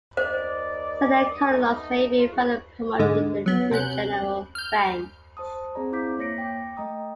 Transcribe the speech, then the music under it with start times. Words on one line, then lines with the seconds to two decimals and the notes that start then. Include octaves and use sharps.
Senior Colonels may be further promoted to general ranks.
0.17 D#2 D#4 C5 D5
1.31 G2 D#6
1.50 A3 B3 D#4
2.17 F4
2.32 E2 G2 F#4
2.99 G#2 D3 G#3
3.46 F#3 B3
3.71 C3 C#4 F#6 G6
4.55 F6 G6
5.37 C5 A5 D#6
5.75 C4 G#4 C5 D5 A#5
5.92 E4 F5 D6 G6 B6
6.19 A#3 C#5 A#6 C#7 D7
6.38 G5 D6
6.77 A3 D#5 G5 A#5 D#6